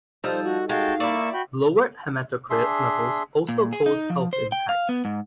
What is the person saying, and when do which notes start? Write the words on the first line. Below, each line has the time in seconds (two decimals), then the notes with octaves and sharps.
Lowered hematocrit levels also pose health impacts.
0.24 F3 G3 D#4 A4 C5
0.44 F#4
0.69 G#3 F#4 F5 G5 A5
1.00 A#3 E4 D5 C#6 E6
1.34 F#4 G5 B5
2.50 D4 G#4 E5 C6
3.49 A#2
3.73 G#4
3.86 D#4
4.10 F3
4.33 C5
4.52 G5
4.69 F5
4.89 B3
5.05 G#2